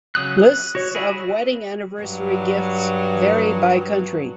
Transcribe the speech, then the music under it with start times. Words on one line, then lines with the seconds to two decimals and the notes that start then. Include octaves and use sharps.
Lists of wedding anniversary gifts vary by country.
0.15 C#3 F#3 D#6 F#6
0.39 F#6
0.75 F#4 C#5
0.95 E4 F#4 G#4
2.02 G2 F#3